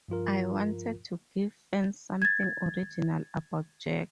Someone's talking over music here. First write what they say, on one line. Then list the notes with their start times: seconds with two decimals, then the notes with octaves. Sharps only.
I wanted to give fans something original about Jack.
0.08 G2 F3 F4 A#4
2.22 G#6 A6